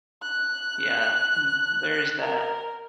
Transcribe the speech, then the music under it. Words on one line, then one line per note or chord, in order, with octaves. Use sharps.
Yeah, hmm, there's that.
F#6
A#4